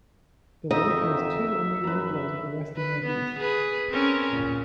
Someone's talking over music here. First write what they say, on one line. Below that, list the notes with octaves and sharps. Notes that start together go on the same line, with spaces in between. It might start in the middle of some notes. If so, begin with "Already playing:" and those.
The lake has two unnamed inflows at the west and northeast.
F2 F#3 D#4 D#5 E5
F#2 B4 A#5
B4
B3
G#4 B4
C4 C#4 A#4
A#2